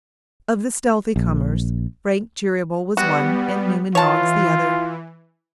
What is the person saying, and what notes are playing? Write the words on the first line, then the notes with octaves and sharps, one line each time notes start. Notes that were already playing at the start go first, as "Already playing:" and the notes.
Of the stealthy comers, Frank Cheeryble was one, and Newman Noggs the other.
A#1
G3 B3 F#4
E3 F4 C#5 A5